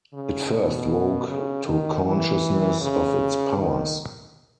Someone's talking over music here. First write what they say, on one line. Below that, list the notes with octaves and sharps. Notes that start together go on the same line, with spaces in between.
It first woke to consciousness of its powers.
C#3
B2
C#3
D#3
E3
C#3
D#3